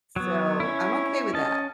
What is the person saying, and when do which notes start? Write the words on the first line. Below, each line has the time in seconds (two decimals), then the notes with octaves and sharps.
So, I'm okay with that.
0.16 F#3 B3 C#5
0.60 C#4 E4
1.34 C#4 D#5 A5